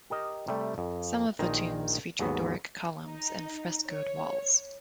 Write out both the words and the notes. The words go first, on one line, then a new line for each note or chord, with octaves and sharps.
Some of the tombs feature Doric columns and frescoed walls.
G4 A#4 D#5
C3 G3 A3
F2
A#1 D#3 D#4 C5 G#5 A#5
D#2 G#2 F#3 B3
D#4
C#5